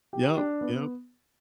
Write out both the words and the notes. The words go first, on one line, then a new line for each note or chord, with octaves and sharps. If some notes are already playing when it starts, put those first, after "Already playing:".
Yep, yep.
G4
D4
B3